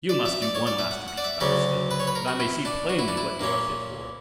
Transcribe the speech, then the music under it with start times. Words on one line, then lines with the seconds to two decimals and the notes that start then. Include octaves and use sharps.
'You must do one masterpiece better still, that I may see plainly what you are fit for.
0.09 D5
0.26 E5
0.42 D5
0.55 C#5
0.67 D5
0.79 E5
0.91 F#5
1.08 F#5
1.18 D5
1.24 E5
1.40 D2 C#3 F#3 C#4 D5
1.91 B4
2.00 C#5
2.07 B4
2.15 A#4
2.28 F#4
2.40 E4
2.65 D4
2.89 F#4
2.99 E4
3.08 D4
3.17 E4
3.40 A#2 A#3 C#4